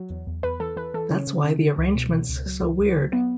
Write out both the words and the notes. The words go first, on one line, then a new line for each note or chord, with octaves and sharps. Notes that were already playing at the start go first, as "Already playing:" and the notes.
That's why the arrangement's so weird.
Already playing: F#3
E2
E2
E2 B4
E3 A4
E3 B4
E3 A4
C#3 C#4
C#3
C#3
E3
C#2
B2
B2
C#2
F#3
C#2
C#2
F#3
F#3 B3